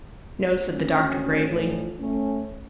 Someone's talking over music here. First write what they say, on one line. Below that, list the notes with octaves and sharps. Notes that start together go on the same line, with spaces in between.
"No," said the doctor gravely.
D2 C#4
A2 D3 E3 F3
A3 C#4